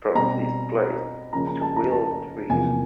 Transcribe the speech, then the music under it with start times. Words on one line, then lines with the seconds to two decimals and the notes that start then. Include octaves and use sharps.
From this place to Will-Tree.
0.15 B2 G3 C4 A#5
1.33 C#3 F3 A#3 C#4 A#5
1.47 A#5
1.61 A5
1.76 A#5
1.91 A5
2.49 E2 C3 F3 A#3 G#5